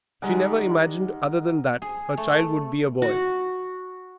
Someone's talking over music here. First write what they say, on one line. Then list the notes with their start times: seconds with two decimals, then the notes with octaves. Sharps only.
She never imagined other than that her child would be a boy.
0.22 D#3 G3 G#3 A#4 D5 F#5
1.82 G#4
2.17 A3
3.02 F#4